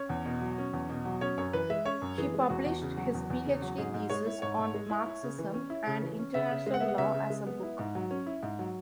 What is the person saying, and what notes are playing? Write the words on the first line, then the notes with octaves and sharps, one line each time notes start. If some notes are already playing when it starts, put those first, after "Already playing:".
He published his PhD thesis on Marxism and international law as a book.
Already playing: C#4 C#5
E2
B2
F#3
C#4
E2
B2
F#3
C#4 C#5
F#2 C#5
E3 B4
G#3 E5
C#4 C#5
F#2
E3 G#4
G#3
E2 F#4
E2
C#3
F#3
E2
E2
C#3
F#3
G#2 G#4
G#2
G#3 C#5
E4
G#2 C#5
G#2
G#3
E4
E4
C#3
E3
C#4
E4
C#3
E3
C#4
C#3 E5
C#3
G#3
F#5
B3 E5
F#5
C#3 E5
C#3
G#3
B3
E4
G#2
F#3
C#4
E4
G#2
F#3